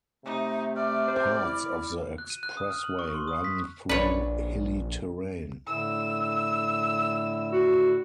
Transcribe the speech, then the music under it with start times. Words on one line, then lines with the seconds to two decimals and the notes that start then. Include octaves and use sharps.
Parts of the expressway run through hilly terrain.
0.25 C3 A3 D#4
0.76 D5 F6
1.08 C5
1.42 E4
2.18 F#6
2.30 D#7
2.43 F#6
2.57 D#6
2.71 F6
2.84 F#7
2.99 C#6
3.14 C6
3.28 D#6
3.44 B6
3.89 A#1 D4 B4 C#5
5.67 A2 D3 E4 E6
7.52 F#4